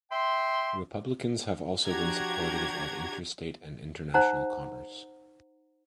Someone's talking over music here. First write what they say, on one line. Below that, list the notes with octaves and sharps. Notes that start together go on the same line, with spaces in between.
Republicans have also been supportive of interstate and international commerce.
E5 G5 C6
F3 D4 F#4 G4 A#5 G#6
D#4 C5 F#5 A#5